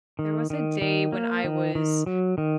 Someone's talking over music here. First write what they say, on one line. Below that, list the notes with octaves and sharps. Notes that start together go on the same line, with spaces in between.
There was a day when I was
D#3
D#3
D#3
A#3
D#3
D#3
F#3
D#3